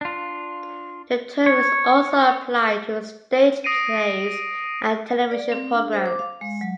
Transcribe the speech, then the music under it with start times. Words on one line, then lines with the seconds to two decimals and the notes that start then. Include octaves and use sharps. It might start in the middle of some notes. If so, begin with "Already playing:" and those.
The term is also applied to stage plays and television programs.
0.01 D4 F4
1.46 C#5
3.64 D#6 A#6 C7 D7 D#7
5.31 D5
5.52 C4
5.73 D4
5.93 C5
6.06 D6
6.19 F5
6.41 G#3
6.61 F#3